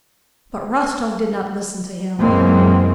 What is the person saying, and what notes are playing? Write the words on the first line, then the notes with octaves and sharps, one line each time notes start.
But Rostov did not listen to him.
F#2 B2 E3 G#3 A#3 C4